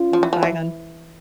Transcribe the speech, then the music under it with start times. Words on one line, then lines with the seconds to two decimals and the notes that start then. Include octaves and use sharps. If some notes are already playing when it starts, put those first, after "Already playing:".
Um, bye, hon.
Already playing: C#4 F4
0.13 F3
0.23 E3
0.33 F3
0.43 E3